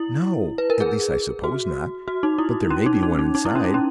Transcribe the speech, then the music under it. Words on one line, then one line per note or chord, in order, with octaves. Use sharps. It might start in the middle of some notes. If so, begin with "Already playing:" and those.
"No; at least I suppose not; but there may be one inside."
Already playing: E4
B4
A#4
G#4
F#4
F#4
D#4
E4
C#4
D#4
D#4
D#4
D#4
E4
C#4
D#4
C#4